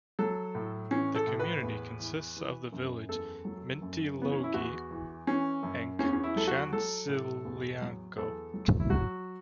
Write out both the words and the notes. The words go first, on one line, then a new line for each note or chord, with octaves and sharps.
The community consists of the villages Mintilogli and Chantziliako.
F#3 A4
A2
E3 C#4
A4
A2
B4
E2
E3
E3
F#2
E2 A4
F#3
F#2
E3 B3
C#4
E4
E2 F#4
E3
E3 C#4
F#2
E2 C#4
C#4
E4
F#3 A4
F#4
F#3 A4
A2
E2
F#3
E2 A4
F#3
E4
F#3 F#4